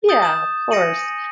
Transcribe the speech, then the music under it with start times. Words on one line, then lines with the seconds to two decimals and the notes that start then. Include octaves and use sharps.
Yeah, of course.
0.09 D#6 G6 A6
0.22 D#6 E7
0.71 G#5 A#6 C#7 D#7 F#7